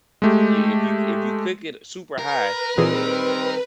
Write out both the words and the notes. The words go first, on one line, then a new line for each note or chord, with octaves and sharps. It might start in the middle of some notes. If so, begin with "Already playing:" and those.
You if you c if you cook it super high,
G#3 A3 G4
A#4 B4
A#2 D#3 E3 G3 C4 G#4